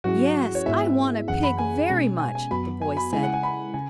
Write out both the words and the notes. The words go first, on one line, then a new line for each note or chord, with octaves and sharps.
"Yes, I want a pig very much!" the boy said.
G#2 F#3 C#4 E4 F#4 G#4
C#5
G#2 G#3 B3 E4 G#4 E5
F#2 E3 C#4 G#4 F#5
B5
G#5
B2 G#3 C#4
G#5
G#5
F#2 F#3 B3 F#4 B5
G#5
B5
C#3 G#3 E4 G#5
F#5
G#5
B5
C#3 G#5